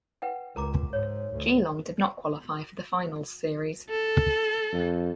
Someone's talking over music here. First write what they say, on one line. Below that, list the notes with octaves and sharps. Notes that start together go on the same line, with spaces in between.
Geelong did not qualify for the finals series.
B4 F#5 G5
C#2 A#4 A#5 D6
G#2 C#5
D2
A4
F2